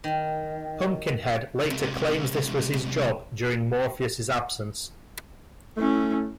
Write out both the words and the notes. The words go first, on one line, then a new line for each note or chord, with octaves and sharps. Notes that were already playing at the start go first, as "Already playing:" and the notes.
Pumpkinhead later claims this was his job during Morpheus' absence.
D#3
C#2 C3
A3 C#4 E4